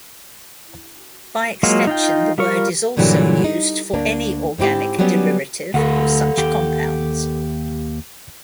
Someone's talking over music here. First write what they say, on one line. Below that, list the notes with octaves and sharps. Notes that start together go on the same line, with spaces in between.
By extension, the word is also used for any organic derivative of such compounds.
F#3 G#3 A#3 F4 F#4
D#4 F4 G5
G3 F4 A#4 C#6
G2 A#2 D3 E3 F#3 G3
D#4
D2 A#3 D4
G#2 C4 E4 G4
F#3 G3 B3 C#4 G4 D5
D2 A4 F5 F#5
D#2 G4